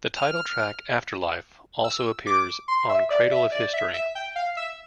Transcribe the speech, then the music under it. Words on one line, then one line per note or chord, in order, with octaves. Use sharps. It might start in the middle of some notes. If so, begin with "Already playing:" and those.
The title track, "Afterlife", also appears on "Cradle of History".
F6
E6
D6
C6
E5
D5
E5
D5
E5
E5
G5
F5
E5